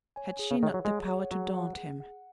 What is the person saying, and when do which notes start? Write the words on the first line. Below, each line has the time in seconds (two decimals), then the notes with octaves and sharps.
Had she not the power to daunt him?
0.16 C#5 G#5
0.39 G#4
0.51 C#3
0.63 D#3 C#5 F#5
0.74 F#3
0.85 G#3 G#4
1.08 C#5 F#5
1.31 F#3 G#4
1.54 F#5
1.78 G#4
2.00 F#5